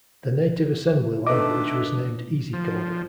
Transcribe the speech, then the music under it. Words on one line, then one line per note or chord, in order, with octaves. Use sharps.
The native assembly language was named Easycoder.
D#3 A3 B3 D4 D#5 D6
F3